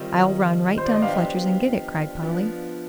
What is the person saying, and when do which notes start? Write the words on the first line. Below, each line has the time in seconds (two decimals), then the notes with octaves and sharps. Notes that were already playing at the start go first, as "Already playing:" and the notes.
"I'll run right down to Fletcher's and get it," cried Polly.
Already playing: D#3 G3 C4 F4 D#5
0.78 C5
0.86 D5
0.94 D#5
1.02 F3 B3 D4 G4 C5 F5
2.22 F3 B3 D4